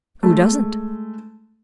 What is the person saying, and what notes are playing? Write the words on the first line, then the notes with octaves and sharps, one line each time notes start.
Who doesn't?
G#3 A3